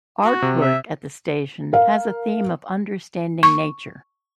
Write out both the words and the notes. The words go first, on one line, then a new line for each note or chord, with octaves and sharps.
Artwork at the station has a theme of understanding nature.
F#4
C3
E5
A#4 F5
C#6